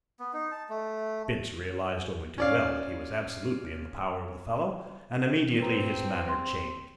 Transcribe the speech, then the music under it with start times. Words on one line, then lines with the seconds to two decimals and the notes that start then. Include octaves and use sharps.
Bince realized only too well that he was absolutely in the power of the fellow and immediately his manner changed.
0.20 B3
0.34 D#4
0.52 A5
0.69 A3
2.38 C#4 D5 F5
5.60 C4 B4 A#5
6.29 C6